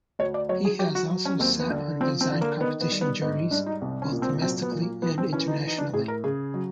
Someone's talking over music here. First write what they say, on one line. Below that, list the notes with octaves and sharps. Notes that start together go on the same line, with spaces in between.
He has also sat on design competition juries, both domestically and internationally.
D2 C#5
D5
F#3 C#5
G#4
F#3 G4
F#4
F#3
C#4
D#2 C4
B3
D3
F3 C4
C4
D3
A#3
D#3 B3
B3
G3
B3
G#2 B3
G3 D4
D#4
C2
C#4
A#2
C4
F#3 C4
B3
A#2
A#3
E3 B3
C4
E3 C#4
D#4
E3 D#4
D4
A2 G#4
A#4
C#3 G#4
F#3